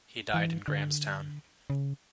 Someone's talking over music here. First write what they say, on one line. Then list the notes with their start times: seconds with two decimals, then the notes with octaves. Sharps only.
He died in Grahamstown.
0.34 E3
0.68 D3
1.70 C#3